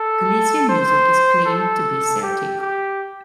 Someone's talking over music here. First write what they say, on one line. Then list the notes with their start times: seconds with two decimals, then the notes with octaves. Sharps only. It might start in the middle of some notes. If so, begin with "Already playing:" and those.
Galician music is claimed to be "Celtic".
Already playing: A4
0.68 C5
1.45 A4
2.22 G4
2.61 G4